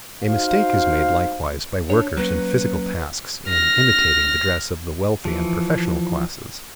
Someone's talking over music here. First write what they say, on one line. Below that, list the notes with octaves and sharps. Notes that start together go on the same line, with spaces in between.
A mistake is made likewise by workers in physical tasks in imitating the dress of the wealthy and professional classes.
D#4 F#4 C5 F5
D4 C#5
F#3 A#3 C#4 B4
F6 A#6
E3 F3